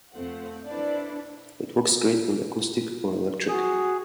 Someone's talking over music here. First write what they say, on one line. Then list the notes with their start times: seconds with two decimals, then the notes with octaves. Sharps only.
It works great on acoustic or electric.
0.12 F2 A3 C4 F4 F#5
0.66 D4 E4 A4 B4 C5 D5
3.49 F#4 G#4